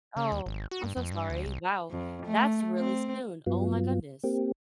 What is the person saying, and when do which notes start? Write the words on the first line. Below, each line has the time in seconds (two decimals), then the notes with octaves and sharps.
Oh, I'm so sorry. Wow, that's really soon, oh my goodness.
0.16 C#3
0.32 D#2
0.46 G#1
0.71 F#4
0.84 G2
0.97 F2
1.12 G2
1.30 D2
1.46 C2
1.90 F2
2.26 A3
2.78 C4
3.46 G2 F#3 B3 F4
4.24 A#3 C4 G4